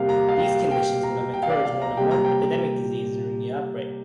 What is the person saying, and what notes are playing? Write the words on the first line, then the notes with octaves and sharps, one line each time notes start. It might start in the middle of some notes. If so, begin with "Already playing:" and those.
These conditions would have encouraged more than one epidemic disease during the outbreak.
Already playing: C3 G3 A#3 G4 A#4 F5
A#5
F5
G5
G5
A#5
G5
F5
D5
F5
A#5
C3 G3 A#3 G5
A#5
G5